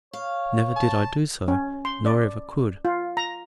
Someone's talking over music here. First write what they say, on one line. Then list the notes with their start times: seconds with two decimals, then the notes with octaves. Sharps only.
Never did I do so, nor ever could.
0.13 C#5 F5
0.76 A5
1.48 C#4
1.85 C6
2.06 D5
2.85 F4
3.17 A#5